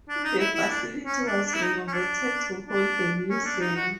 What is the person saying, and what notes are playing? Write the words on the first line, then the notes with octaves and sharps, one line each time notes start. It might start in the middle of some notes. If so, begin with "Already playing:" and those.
The facility was renovated to hold the museum.
D4
D#4
E4
E4
D4
C#4
D4
D4
E4
D#4
C#4
D4
D4
C#4
D4
D#4
F#4